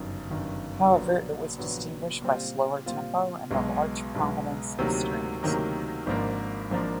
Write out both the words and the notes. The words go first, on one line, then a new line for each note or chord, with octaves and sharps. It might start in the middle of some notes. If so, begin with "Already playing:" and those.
However, it was distinguished by slower tempo, and the large prominence of strings.
Already playing: G1 F#2 D#3
G1 F#2 D#3
A#1 A#2 F#3 B3
A#1 A#2 F#3 B3
A#2 G3 C4 F4
A#2 G3 C4 F4
B1 B2 G#3
B1 B2 G#3
D2 C3 D#3 F#3 A#3
D2 C3 D#3 F#3 A#3
G#1 G#2 F3 A#3 D4
G#1 G#2 F3 A#3 D4